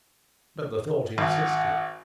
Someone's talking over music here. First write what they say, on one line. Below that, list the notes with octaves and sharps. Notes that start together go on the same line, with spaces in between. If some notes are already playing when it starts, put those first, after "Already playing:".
But the thought insisted.
G#1 F#5